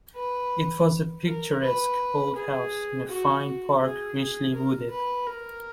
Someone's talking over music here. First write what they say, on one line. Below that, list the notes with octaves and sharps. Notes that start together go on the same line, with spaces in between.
It was a picturesque old house in a fine park richly wooded.
B4
A#4
B4
G#4
F#4
F#4
G#4
G#4
A#4
B4
A#4